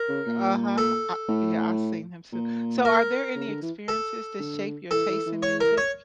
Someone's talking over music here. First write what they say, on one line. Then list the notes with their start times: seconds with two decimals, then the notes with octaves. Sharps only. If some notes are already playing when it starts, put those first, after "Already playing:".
Uh-huh. I yeah, I've seen him too. So, are there any experiences to shape your taste in music?
Already playing: A#4
0.09 C#3
0.26 A#2
0.78 A4
1.29 A2
2.33 A#2
2.85 A#4
3.36 C#3
3.49 D3
3.62 E3
3.88 A4
4.40 D3
4.91 E3 A4
5.09 E3
5.27 E3
5.43 C#5
5.61 A#4
5.77 C#5